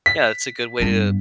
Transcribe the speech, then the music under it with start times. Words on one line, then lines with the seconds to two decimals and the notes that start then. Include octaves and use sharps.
yeah, that's a good way to
0.06 B6
0.79 G2 B3